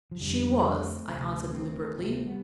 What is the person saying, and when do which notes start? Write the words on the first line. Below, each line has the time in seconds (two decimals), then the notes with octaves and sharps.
'She was,' I answered, deliberately.
0.11 F3
0.20 F2 E3 G3
0.24 D3
0.50 G3 B3
0.69 D4
0.79 A3 C4
1.08 D2 C3 A3 C4
1.53 A3 C4
1.97 D2 C3 A3 C4
2.26 G3 B3